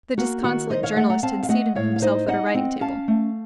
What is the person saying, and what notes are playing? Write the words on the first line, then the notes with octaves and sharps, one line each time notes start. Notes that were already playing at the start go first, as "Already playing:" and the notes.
The disconsolate journalist had seated himself at a writing-table.
A#3 F#4
D#3 F#4
D#4 C5 D#5
C#5 F5
A3 D#5 F#5
F#5 A#5
C4 F5 A5
F5
A3 D#5 F#5
A2 C#5 F5
F5
D#4 C5 D#5
D#4 D#5 F#5
C4
C#4 F5 A5
A3